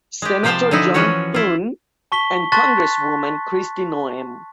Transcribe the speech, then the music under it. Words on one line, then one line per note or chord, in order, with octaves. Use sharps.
Senator John Thune and Congresswoman Kristi Noem.
G#3 G4
C3 F3 C5 F5 G5 A5
D3 F3 D#4 E4
E3 F3 C#4 F#4 C#5
E4 F4
A5 C#6 B6 G7
A5 C6 C#6 F#6 A6 B6